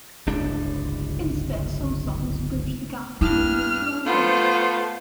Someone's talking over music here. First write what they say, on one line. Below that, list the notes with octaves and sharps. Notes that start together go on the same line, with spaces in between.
Instead, some songs bridge the gap between those two albums.
D1 G1 C#2 D4
G2 E4 F6
A3 B3 F4 C5